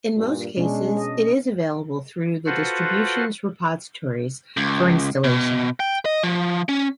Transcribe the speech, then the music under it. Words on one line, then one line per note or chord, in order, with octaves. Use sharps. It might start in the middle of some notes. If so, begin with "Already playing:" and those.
In most cases it is available through the distribution's repositories for installation.
G2 A#2
B2 G#3 C#4 D4
D#5
F4 F#4 A4 B4 C5 F#5
C#2
B2
G5
D#5
F3
C#4